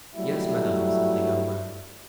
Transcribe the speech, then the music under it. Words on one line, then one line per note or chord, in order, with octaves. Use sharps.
"Yes, madame," said the young man.
F#3 G3 A3 E4